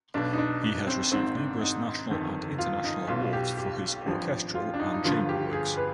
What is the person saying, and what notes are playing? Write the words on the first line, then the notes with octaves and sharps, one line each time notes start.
He has received numerous national and international awards for his orchestral and chamber works.
B1 B2 D4
D#4
D4
D4
C4
G#1 G#2 D#3 C4
D4
D#4
G1 F2 D#3
F4
D#4
B1 B2 F4
G4
G4
G#1 G2 F3
F4
D4
D#4
D#4
G1 G2 D3 F3 F4
G4
G#4
B4